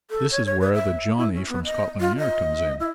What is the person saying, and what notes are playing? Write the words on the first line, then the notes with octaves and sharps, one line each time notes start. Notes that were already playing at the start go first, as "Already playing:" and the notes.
This is where the Johnny from Scotland Yard comes in.
A4
C#5
C#5
B4
E5
E4
C#4
B3
D#5
F4
D#5
E4